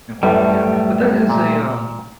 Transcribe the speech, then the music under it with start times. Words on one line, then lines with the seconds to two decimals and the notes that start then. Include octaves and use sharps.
and whatnot, yeah, but that is a, um
0.23 A1 F#2 A2 G3 A3
1.29 A#2